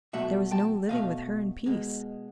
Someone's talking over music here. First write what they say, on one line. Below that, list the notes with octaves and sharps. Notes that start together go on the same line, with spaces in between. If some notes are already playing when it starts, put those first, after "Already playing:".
There was no living with her in peace.
B2 F#3 A3 E5 F#5
G5 A5
B2 F#3 A3 D#5 F5
B2 G#3